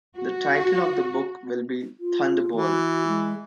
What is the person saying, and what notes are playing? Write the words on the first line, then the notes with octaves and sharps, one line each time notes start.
The title of the book will be Thunderball.
F#4
F4
E3 F#4
G#3